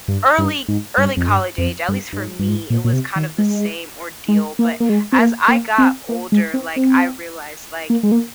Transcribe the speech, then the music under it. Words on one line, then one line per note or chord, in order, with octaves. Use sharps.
early early college age, at least for me, it was kind of the same ordeal, but as I got older, like, I realized, like,
G2
G2
G#2
G2
F2
G2
F2
G2
G2
G#2
G2
G#2
A#2
A#2
C3
D#3
G#3
G#3
A#3
A#3
G#3
C4
A#3
A#3
C4
A#3
G#3
C4
C4
A#3
G#3
A#3